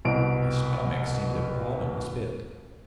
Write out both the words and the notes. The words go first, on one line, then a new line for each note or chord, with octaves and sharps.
His stomach seemed a bottomless pit.
C2 B2 D7